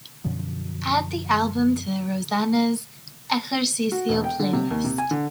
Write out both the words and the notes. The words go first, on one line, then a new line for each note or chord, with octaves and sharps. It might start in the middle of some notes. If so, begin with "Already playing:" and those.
Add the album to rosanna's ejercicio playlist.
F#2 B2 D3 F3
F#4
E1
G5
D3
C3
D#2
C3
G#5
D3